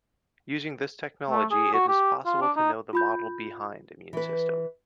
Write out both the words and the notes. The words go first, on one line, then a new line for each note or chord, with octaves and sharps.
Using this technology it is possible to know the model behind immune system.
A3
G#4
F#4
G4
F4
D4
D#4
F4 B5 G6
E3 B4